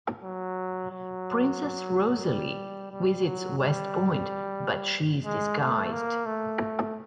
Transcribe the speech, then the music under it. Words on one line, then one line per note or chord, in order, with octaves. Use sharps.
Princess Rosalie visits West Point, but she is disguised.
F#3
F#3
G3
G3
F#3
G3
G#3
A3
A#3
A3